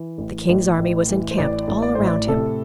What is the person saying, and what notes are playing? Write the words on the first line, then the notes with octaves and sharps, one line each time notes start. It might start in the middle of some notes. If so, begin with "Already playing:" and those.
The king's army was encamped all around him.
Already playing: E3
A1
A1
A2
E3
C5
A1 D5
A1
D5
A2 C5
D5
C3 A4